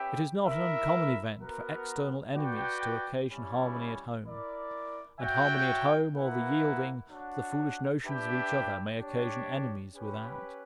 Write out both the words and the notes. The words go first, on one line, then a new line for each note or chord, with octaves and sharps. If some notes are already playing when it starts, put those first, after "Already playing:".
It is not an uncommon event for external enemies to occasion harmony at home; and harmony at home, or the yielding to the foolish notions of each other, may occasion enemies without.
Already playing: C#4 G4 B4 E5 G5
E4 A#4 E5
B3 F#4 A#4
F#4 B4 D5 G5
G3 C#4 E4
E4 A#4 D5
F#4 C#5 E5 G5
A#3 E4 B4 F#5
D4 F#4 C#5 F#5
D4 G4 B4 E5 G5
D4 G4 C#5
C#4 G4 B4